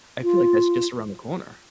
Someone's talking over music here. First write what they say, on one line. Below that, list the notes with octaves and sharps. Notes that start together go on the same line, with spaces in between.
I feel like that's just around the corner.
F4